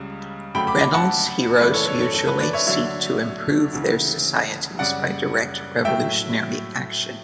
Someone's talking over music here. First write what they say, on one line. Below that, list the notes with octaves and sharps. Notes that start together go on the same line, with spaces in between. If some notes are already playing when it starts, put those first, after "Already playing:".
Reynolds' heroes usually seek to improve their societies by direct revolutionary action.
Already playing: C#2 C#3 G3
D2 C#3 F#3 A3 G5 B5
B5 D6
B5 D6
F#5 A5
F#2 C#3 E3 A3 B4 D5
A4 C#5
A4 C#5
A4 C#5
A4
B4
B4 D5
C#5 E5
D2 D3 F#3 C#5 E5
D2 C#3 E3
F#2 C#3 G3 D5 F#5
A2 F#3 A3 E5 G5